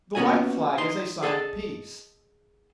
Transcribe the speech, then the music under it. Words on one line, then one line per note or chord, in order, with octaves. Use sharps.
The white flag is a sign of peace.
A#3 B3 C#4 F#4 D#5 G#5
D#4 C6
G#4 A4 D#5 F#5 A5